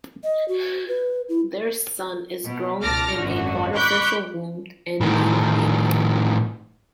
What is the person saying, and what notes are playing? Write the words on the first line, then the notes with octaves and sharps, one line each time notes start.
Their son is grown in an artificial womb and named Damian.
D#5
F#4
B4
E4
B2
C#2 B2 A5 D6 F6 A#6
G#1 F#2 D3 F#4
B5 C#6 D6 F#6 G6 B6
A2 D#3